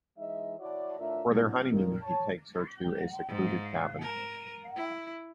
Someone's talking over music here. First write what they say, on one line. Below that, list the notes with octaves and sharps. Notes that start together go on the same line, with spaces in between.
For their honeymoon, he takes her to a secluded cabin.
E3 G#3 D#4 D#5 E5
E4 F#4 C#5 D5
A2 D4 F4 A#4 E5
F#3 D4 E4
A#2 D#3
C#5 A5
G#2
A#4
E4